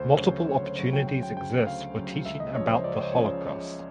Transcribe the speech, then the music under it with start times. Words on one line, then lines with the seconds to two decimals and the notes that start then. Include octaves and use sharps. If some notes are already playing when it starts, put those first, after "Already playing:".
Multiple opportunities exist for teaching about the Holocaust.
Already playing: D2 C5
0.20 C#3 F#3 C#5
0.49 D2 C#5
0.63 C5
0.79 C#3 F#3 C#5
0.93 G5
1.08 D2 G5
1.23 G5
1.37 C#3 F#3 G5
1.67 D2 F5
1.96 C#3 F#3
2.25 C#2 E5
2.40 D#5
2.55 C#3 F3 C#5
2.69 C5
2.84 C#2 D5
2.93 C#5
3.03 C5
3.12 C#3 F3 C#5